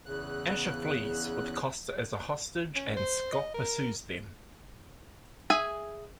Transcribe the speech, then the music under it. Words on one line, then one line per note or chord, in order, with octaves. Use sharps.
Asher flees with Costa as a hostage and Scott pursues them.
E2 C#3 F#6
C#4
C5
D#5
A#4
G#4 E5 G#5